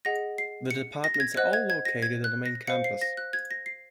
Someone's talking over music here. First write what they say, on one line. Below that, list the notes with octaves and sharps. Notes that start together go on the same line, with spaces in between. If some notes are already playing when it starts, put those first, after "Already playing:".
The departments are all located on the main campus.
G#4 D#5 F#5 A#6
C7
C#7
A#6
A#6
G#6
C5 D#5 F#5 F#6
G#6
G#6
A#6
G#6
F#6
A#6
C5 F5 C#7
C7
A#6
F#6
G#6
A#6
C7